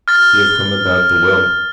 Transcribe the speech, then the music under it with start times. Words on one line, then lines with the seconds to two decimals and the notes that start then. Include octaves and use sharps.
"We have come about the will."
0.08 F6 A6